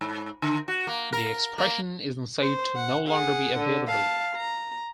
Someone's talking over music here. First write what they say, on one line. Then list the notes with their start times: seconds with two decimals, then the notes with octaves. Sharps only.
The expression is then said to no longer be available.
0.01 G#2
0.42 D3
0.68 F#4
0.87 A#3
1.13 A#4
1.58 A#3
2.41 C5
2.76 F#5
3.08 G#4 F#5
3.57 D3
3.88 F5 A5
4.36 A#5